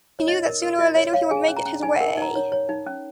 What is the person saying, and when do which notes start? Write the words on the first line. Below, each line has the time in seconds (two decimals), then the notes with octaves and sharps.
He knew that sooner or later he would make it his way.
0.19 C#5
0.28 D#4 D#5
0.45 A#4
0.62 A#4
0.79 F4 D#5
0.96 C#5
1.13 C#5 F5
1.31 G#4 G#5
1.48 C#4
1.57 A#5
1.66 C#4
1.83 D#4 G#5
1.96 A#4 F#5
2.17 D#4 A#5
2.35 C#5
2.52 C#5
2.69 D#4
2.86 C#4